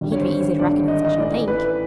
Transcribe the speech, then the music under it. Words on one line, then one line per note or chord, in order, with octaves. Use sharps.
He'd be easy to recognise, I should think.'
G#1 G2 D3 G3
C#5
C5
C#5
G#1 G2 D3 G3 D5
D#5
D#5
A1 A2 E3 D5
B4